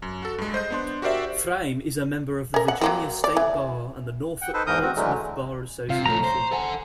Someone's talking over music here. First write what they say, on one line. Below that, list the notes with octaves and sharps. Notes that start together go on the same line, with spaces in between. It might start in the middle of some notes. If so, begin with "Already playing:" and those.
Fraim is a member of the Virginia State Bar and the Norfolk-Portsmouth Bar Association.
F#2
F#4 A4
G2 G#3
C5 D#5 G6
B3 D4 C6
F#4 G4 A#4 C5 D5 E5
C#4 A#4
F#5
F#3 A#3 C4
D5
E3
F#5 G5
D#4 A4 B4 C5
E2 G#2 E3 A#4 D#6 G6
D2 C4 F#4
D3 E3 F#3 G#3 A3
C3 F4 F5
F2 A3 F4 C#5 A#5
C5
A4 F#5 G#5 A5